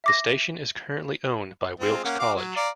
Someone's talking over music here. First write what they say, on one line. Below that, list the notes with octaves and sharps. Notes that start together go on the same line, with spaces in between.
The station is currently owned by Wilkes College.
E5 D6 A#6
G#3 C4 F4
A#3 C#4 F#5
F#4 F5 D6
F#3
D5 F5 A#5